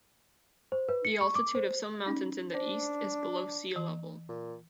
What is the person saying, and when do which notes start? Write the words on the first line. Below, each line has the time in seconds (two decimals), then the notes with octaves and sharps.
The altitude of some mountains in the east is below sea level.
0.72 C5
0.89 B4
1.05 C#7
1.21 C#6
1.35 D6
1.55 C5
2.06 C#4 D#4
2.54 D4 C5
3.76 E3
4.29 A#2